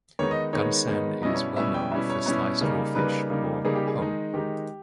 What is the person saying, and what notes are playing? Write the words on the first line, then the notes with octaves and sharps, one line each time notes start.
Gunsan is well known for sliced raw fish, or "hoe".
D#3 G#3 B3 D#4 C#5
D#5
D#3 G#3 B3 D#4 C#5
D#3 G#3 B3 D#4
B2 G3 C#4 E4 D#5
C#5
B2 G3 C#4 E4 E5
G5
B2 G3 C#4 E4 E5
C#5
B2 G3 C#4 E4
C#3 G3 A#3 D#4
C#3 G3 A#3 D#4 B4
C#3 G3 A#3 D#4
C#3 G3 A#3 D#4 G#4
G4
G#4
D#3 G#3 D#4
D#3 G#3 D#4 G4